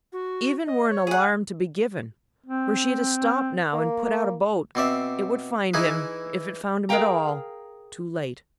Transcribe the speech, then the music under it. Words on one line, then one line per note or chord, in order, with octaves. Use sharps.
Even were an alarm to be given, were she to stop now and put out a boat, it would find him, if it found him at all, too late.
F#4
D#5
C#5
G#4 F#5
C4
A#3
B2 C4 D5 E5
E3 D#4 E4 G#4 B4
G#4 A#4 E5 F5 G5 A#5